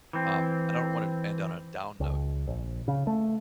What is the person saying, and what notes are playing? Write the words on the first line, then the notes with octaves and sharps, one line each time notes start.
Um, I don't wanna end on a down note,
E3 C4
C#2
A#1
C#3
A3